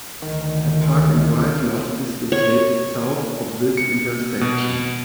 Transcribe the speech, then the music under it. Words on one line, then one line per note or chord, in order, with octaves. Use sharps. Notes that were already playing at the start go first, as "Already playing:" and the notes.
A park and ride lot is located south of this intersection.
D2 D#3
C#5
C#7
B2